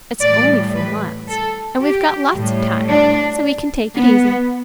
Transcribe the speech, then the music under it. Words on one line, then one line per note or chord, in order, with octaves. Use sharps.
It's only four miles, and we've got lots of time, so we can take it easy.
A2 E3 G3 D5
B4
A4
G4
A2 G3
D4
B3